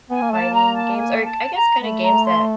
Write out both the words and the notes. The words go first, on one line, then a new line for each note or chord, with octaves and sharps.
fighting games or I guess kinda games that
B3 G#5
A#3
A3 A5
A#3
A#5
A5
G#5
A5
A#5
A3 B5
A#5
C6